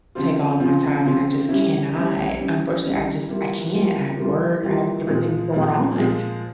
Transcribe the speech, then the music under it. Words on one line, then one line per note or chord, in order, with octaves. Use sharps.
take all of my time, and I just cannot. Unfortunately, I just I can't. I have work, I have different things going on,
C#3 F3 C4 F4
C#3 F3 C4 F4
C#3 F3 C4 F4
G3 C#4 E4
G3 C#4 E4
G3 C#4 E4
G3 C#4 E4
E3 G3 A#3 F4
E3 G3 A#3 F4
E3 G3 A#3 F4
E3 G3 A#3 F4
A#2 F3 G#3
A#2 F3 G#3
A#2 F3 G#3